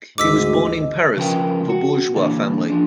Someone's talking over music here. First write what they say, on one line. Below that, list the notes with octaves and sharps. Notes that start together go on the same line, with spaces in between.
He was born in Paris, of a bourgeois family.
D2 G#2 D#5 D6 E6 B6
C#3 F3 C#4 A#4 B4 G5
F#4
A#2 D3 E3 D4
F3 D4